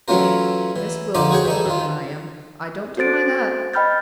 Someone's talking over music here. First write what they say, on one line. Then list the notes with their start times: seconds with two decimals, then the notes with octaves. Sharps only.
Miss Gwilt is older than I am--I don't deny that.
0.08 E3 F#3 A3 C#4 F4 A#4
0.76 E3
1.15 D3 F3 D#4 F4 D5
1.31 F#4 G#4 C#5 G5
1.45 E3 D#4 A4
1.66 D#3 F4
2.97 F#4 A4 C5 A6 D7
3.73 D#5 G5 B5 F6 G6 A6